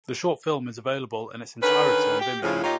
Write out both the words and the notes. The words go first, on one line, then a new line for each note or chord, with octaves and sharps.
The short film is available in its entirety on Vimeo.
D3 D#3 C#4 B4
G4
A2 C#3 F3
A#2 D#4 F4 G4 C#5 D#5